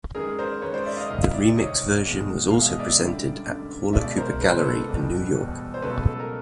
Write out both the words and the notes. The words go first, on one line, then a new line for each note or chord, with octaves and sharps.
The remix version was also presented at Paula Cooper Gallery in New York.
F#2 D#3 G#3 G#4 A#4
A#4 C5
F#2 D#3 G#3 B4 C#5
C5 D5
D5 E5
D#5 F5
C2 C3 D#3 D#5 F5
D5 E5
C2 C3 D#3 C#5 D#5
E2 B2 G#3
E2 B2 G#3 F5
E5
D#5
D5 E5
F#2 D3 G3
F#2 D3 G3
C#2 B2 G#3 D5 E5
A#4 C5
C#2 B2 G#3 B4
C5
A4 B4
E2 B2 G3
E2 B2 G3
C5
C#2 B2 F#3 A3 A4 B4
A4
A#4